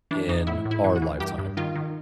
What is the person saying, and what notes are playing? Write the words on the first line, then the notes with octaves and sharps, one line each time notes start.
in our lifetime?
E3 D4
E3 D#4
A2 E4
A2
E4
E3
F#4
E3
G2 G4
G2
D#3 F4
D#3